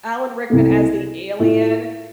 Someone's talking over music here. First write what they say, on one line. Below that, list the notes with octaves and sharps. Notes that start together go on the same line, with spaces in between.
Alan Rickman as the alien,
C2 C3 A3
A2 A3 F4